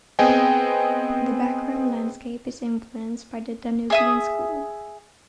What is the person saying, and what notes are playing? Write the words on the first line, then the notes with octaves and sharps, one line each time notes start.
The background landscape is influenced by the Danubian School.
B3 C4 G#4 D#5 G5 G#5
G#4 E5 D#6